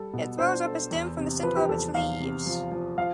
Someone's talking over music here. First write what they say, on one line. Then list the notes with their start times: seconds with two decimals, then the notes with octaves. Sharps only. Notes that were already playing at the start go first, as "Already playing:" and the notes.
It throws up a stem from the center of its leaves.
Already playing: G3 A4
0.14 B2
0.39 D4 C5
0.65 A4
0.91 E2
1.17 C3
1.43 F3 B4
1.57 G4
1.68 E2 A4
1.94 E2 F5
2.20 C3
2.46 F3
2.72 F3
2.98 F3 F5